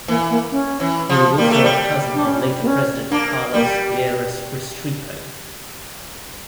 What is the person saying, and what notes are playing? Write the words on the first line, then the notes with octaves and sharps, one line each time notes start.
He was also a cousin of later president Carlos Lleras Restrepo.
E3 A#3
A#3
C#4
E3
F3
G3 A#3
A3
G3
D4
C#4
A#3
C#4
A#3 D4
G3 A#3